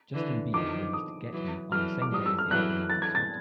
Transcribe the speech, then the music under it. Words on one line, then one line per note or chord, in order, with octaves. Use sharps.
Justin Bieber released "Get Me" on the same day as the album announcement.
D3 E3
D#3 F3 D6
D#6
E3 F#3
E3 F#3 F6
D6
F3 G3 D#6
E6
F6
E3 F#3 F#6
A6
G#6
A6